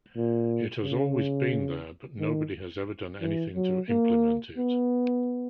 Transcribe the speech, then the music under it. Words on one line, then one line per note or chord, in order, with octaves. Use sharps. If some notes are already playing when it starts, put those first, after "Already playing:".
It has always been there, but nobody has ever done anything to implement it.
A#2
C#3
D#3
E3
F#3
A#3
B3